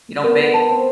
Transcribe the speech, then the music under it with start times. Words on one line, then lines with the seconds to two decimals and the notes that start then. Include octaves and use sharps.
You don't bake?
0.24 B3 A#4
0.54 A5
0.69 C4